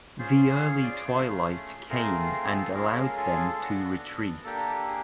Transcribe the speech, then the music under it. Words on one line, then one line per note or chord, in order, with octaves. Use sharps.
The early twilight came and allowed them to retreat.
C#4 F4 G#4 C5
C#5
D5
A3 C#4 F4 G#4
A3 C4 F4 G#4 A#4
A#4
A4
A4
G#3 C#4 F4 G#4 A#4
A4
A#4
A4
B3 D4 F#4
A#3 D4 G4 A4
G#4